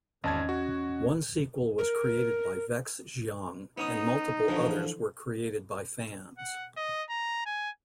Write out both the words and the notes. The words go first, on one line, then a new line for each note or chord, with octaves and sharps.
One sequel was created by Vex Xiang, and multiple others were created by fans.
G#1 E2 C#4 D#5 A5 G#6
F#4
A#4
B3 C#4 D#4 D#6
D3 E3 F3
F#5
D#5
A#5
G#5